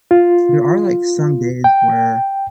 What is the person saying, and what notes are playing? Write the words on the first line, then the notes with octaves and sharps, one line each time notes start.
there are, like, some days where,
F4
G5